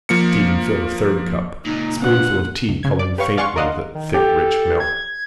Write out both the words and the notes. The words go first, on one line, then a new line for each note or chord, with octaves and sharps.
Stephen filled a third cup, a spoonful of tea colouring faintly the thick rich milk.
F3 A#3 C#7
C#2 A#2 D#4
B3 D4 F4 F#4 F#5
C#2
C#3 G#6
D5
G4 B4 C#5 F5 C#6
D5 F5 F#5 G#5 C6 C#6
A#4 D5 D#5 F5 F#5 C6
D#3
G4 A4
G#6